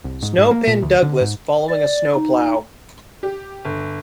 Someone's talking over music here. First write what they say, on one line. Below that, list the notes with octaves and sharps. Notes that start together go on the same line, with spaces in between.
Snow pinned Douglas following a "Snow Plow".
C2
G#2
G#2
A#3
A#2
D2
D3
G#2
D5
D#4
G4
G1